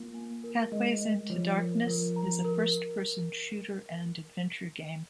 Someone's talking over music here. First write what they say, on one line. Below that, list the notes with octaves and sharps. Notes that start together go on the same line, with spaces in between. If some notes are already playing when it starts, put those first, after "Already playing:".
"Pathways into Darkness" is a first-person shooter and adventure game.
Already playing: A#3 F4
G#5
A#4
G#3 D#5
D#5
F3 C#5
A#4
F3 A#4
A#5
A#4